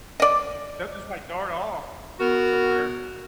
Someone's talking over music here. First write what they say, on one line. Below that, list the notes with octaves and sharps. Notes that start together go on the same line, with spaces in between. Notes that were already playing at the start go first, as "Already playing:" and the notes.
They'll just, like, dart off, um, somewhere,
D5 D#5
B3 F#4 A#4